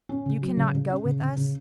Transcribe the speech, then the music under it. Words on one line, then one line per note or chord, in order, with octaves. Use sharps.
"You cannot go with us!"
C#4
C#3
F#3
C#3
C#3
C#4
C#3
C#3
C#3